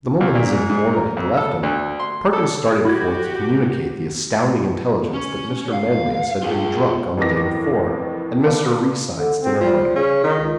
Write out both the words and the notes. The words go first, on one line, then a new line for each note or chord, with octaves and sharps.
The moment his informant had left him, Perkins started forth to communicate the astounding intelligence that Mr. Manlius had been drunk on the day before, at Mr. Reeside's dinner-party.
D#2
A#2
G#2
G#2
A#4
F2
A4
D2
C6
A4
E4 F#4 G4 G#6
C#4
F5
F4 G#4
F2 A2 E3 A#4 D6 A#6
A4 B4 D5 F5
D3
C4
F3 G3
C#3 C#4
D#3 D#4
C#2